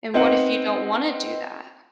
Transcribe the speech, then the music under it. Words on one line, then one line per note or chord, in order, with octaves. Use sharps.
and what if you don't wanna do that?
B3 C4 D#4 D#5 F#5